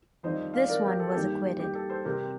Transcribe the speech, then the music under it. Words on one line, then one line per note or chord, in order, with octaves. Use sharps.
This one was acquitted.
F2 D#3 G3 D4 C5 D#5
D5 F5
A#4 D5
G4 A#4
A4
A4
G2 D#3 A#3 D4 G4
G4
A4
A4 C5
C3 G3 C4 G4 A#4